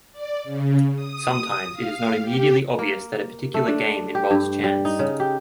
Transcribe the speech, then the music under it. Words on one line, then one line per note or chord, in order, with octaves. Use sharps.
Sometimes it is not immediately obvious that a particular game involves chance.
D5
C#3
D#6
F5
G4
A#3
A3
D4
G4
G2
G3
D#4
C#3
G4